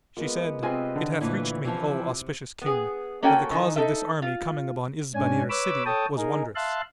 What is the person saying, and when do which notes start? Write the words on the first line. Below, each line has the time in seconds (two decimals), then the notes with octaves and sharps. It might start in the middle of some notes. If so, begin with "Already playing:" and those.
She said, It hath reached me, O auspicious King, that the cause of this army coming upon Isbanir city was wondrous.
0.17 G#3 A#3 B3 F4
0.63 C3 C4 F4 G#4 B4 D#5 G#5
0.96 D3
1.21 D2 A#2 E3 E4 B4 C#5
1.65 C3 E3 F3
2.62 B3 G#4
3.23 A#3 C#4 F#4 A4 G5 G#5
3.51 D#3 E3 D#4
3.76 D#4 A4 E5
4.22 F4
5.15 G#2 C#4 D4 G#5
5.50 B4 C#5 B5 D6 E6
5.86 A4 C#5 G5 A5 D#6
6.17 D#4 G#4 A#4
6.55 E5 F5 A5 C6 F#6